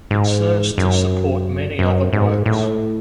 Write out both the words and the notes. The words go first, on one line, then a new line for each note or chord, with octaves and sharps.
It serves to support many other works.
G#2
F#2
F#2
G#2
A2